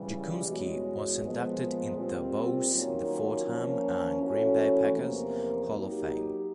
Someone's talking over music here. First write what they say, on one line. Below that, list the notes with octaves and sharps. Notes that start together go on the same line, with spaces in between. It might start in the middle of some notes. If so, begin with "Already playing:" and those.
Jacunski was inducted into both the Fordham and Green Bay Packers Hall of Fame.
Already playing: C#3 E3 G3
E2 B2 G#3 C#4 F#4
A#2 F3 G#3 B3
A#2 G3 C4 F4
D#3 F#3 A#3 C#4 F4
F3 A#3 C#4
E3 A3 C#4 F#4 A4
E2 C3 F3 A#3
F#3 A#3 D#4 G4